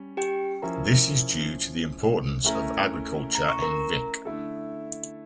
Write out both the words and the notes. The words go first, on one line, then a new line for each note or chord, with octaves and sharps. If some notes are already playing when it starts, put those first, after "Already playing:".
This is due to the importance of agriculture in Vik.
Already playing: G3 C#4
G4 G5
F3 C#4 E4 A#4 A#5
A3 C#4 E4 A#4
A#5
C#6
A#4 A#5
D3 A3 E4 A4